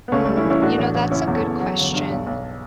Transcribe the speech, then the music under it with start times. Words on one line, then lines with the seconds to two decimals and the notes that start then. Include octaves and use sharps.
Hmm, you know, that's a good question.
0.08 B3
0.12 C#2 A3 C#4
0.24 G3 A3 C#4
0.37 C#4 E4
0.45 E3
0.50 C#4 E4
0.62 A2 D4 F#4
0.78 A1
0.95 A1
1.11 F#1 C#4 E4
1.27 E2
1.36 A4 C#5
1.44 E2
1.60 F#3
1.77 G1
1.94 G2
2.11 B1
2.27 B1